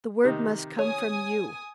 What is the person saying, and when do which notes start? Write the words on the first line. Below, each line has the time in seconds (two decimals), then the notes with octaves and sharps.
The word must come from you.
0.24 C3 D#3 D#4
0.79 C#5 G#5 D#6